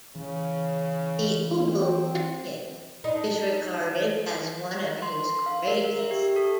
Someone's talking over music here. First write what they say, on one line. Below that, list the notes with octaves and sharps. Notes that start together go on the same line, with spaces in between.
"The Ubu diptych" is regarded as one of his greatest.
C#3 E3
C4
D4 D#4
C6
F5
A#4
E5
G4
A4